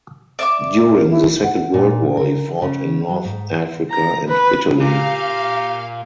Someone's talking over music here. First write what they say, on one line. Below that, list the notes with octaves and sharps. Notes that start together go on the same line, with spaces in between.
During the Second World War he fought in North Africa and Italy.
D5 E5 D6
A#4
E4
F#5
A#2
A#4
C#3
F#3
G#2
A#5
B4
A#2 G4 F5 A#5